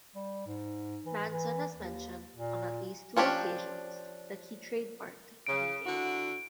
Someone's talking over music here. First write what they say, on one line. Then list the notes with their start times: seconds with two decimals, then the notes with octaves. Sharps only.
Manson has mentioned on at least two occasions that he trademarked the name.
0.15 G3
0.47 G#2
1.05 E3
1.31 E3
1.75 D#2
2.35 A#2
3.17 F3 C#4 D4 G4
5.47 C#3 D7
5.86 D3 E4 F#4